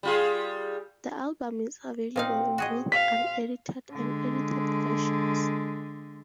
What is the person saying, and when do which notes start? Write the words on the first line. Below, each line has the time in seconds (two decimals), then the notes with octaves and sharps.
The album is available in both unedited and edited versions.
0.03 G3 F4 G#4
2.16 A#2 C4 D#4 F5 F#5
2.58 F#4 G#4 D#5
2.92 F5 B6
3.92 D3 G#3